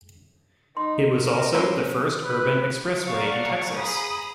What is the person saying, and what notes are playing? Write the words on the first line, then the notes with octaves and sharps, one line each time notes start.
It was also the first urban expressway in Texas.
D#4 C6
A#4
C#4 B4 C5
B4
D5 F5 F#5 A5 A#5 C#6
G#4 A#5 B5 D#6